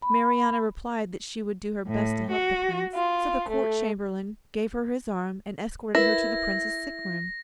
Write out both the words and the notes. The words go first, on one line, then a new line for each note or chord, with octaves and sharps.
Marianna replied that she would do her best to help the Prince; so the Court Chamberlain gave her his arm, and escorted her to the Prince's sick room.
B5
A2
F#4
F4
A3
E4 A#4 B4 A#6